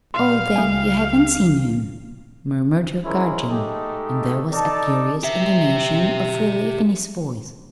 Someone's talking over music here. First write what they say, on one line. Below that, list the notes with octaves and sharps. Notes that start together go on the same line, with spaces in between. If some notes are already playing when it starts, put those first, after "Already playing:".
"Oh, then you haven't seen him," murmured her guardian; and there was a curious intonation of relief in his voice.
A#2 G3 F5 C6 F6
C#2 A3 G4 G#5
G#3 C#4 E4 G#4 A#4 C5
G#3 A3 D#4 G4 A4
D#4 A4 D5 A5
G4 E5